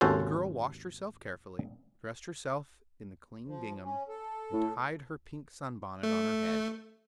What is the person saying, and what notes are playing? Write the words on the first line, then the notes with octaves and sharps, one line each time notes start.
The girl washed herself carefully, dressed herself in the clean gingham, and tied her pink sunbonnet on her head.
G#1 D#2 C#4 F#4 A4 C5
F3
C#4
A4
A2
A3